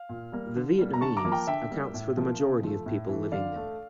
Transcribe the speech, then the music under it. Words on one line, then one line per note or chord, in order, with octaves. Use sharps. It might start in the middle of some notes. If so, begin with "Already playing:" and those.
The Vietnamese accounts for the majority of people living there.
Already playing: F5
A#2
G3 A#3
D3
G3 A#3
A#5
D3 A5 C#6
A#5 D6
F3 A#3
G5 A#5
D3 E5 G5
G3 A#3
A2
F3 A#3
C#3
F3 A3
A2
E3 A3
D3 D5 F5
A3